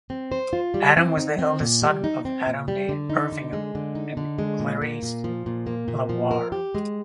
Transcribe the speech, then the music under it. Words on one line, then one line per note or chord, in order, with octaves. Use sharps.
Adam was the eldest son of Adam de Everingham and Clarice la Warre.
C4
C5
F4
G3
C4
D#4
C4
A#2
G3
D#4
C4
A#2
G3
D3
D#4
D3
G#3
D3
D#4
D3
G#3
A#2
A#3
A#2
F3
A#2
A#3
A#2
F3
A#4
G4
G#3